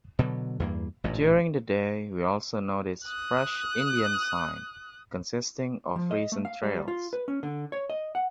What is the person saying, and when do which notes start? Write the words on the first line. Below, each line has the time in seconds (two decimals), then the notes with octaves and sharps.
During the day we also noticed fresh Indian ‘sign’, consisting of recent trails.
0.19 B2 D3 F#3
0.60 E2 G2 A#3
1.04 A1 G2 A#2
3.05 D#6 F#6
5.96 F3
6.11 D#5
6.32 A3
6.45 F5
6.63 G3
6.88 F4
7.13 B4
7.28 C#4
7.43 D3
7.72 C#5
7.90 D#5
8.15 F#5